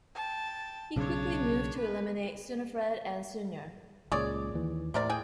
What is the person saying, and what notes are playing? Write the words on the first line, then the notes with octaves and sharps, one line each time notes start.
He quickly moved to eliminate Sunifred and Sunyer.
G5 A5
B1 C#3 D4 C#5
B4
C#2 A#2 G#3 G#4 C#5 D5
D#2 E3
A2 C3 A#4 D5
G#4 G5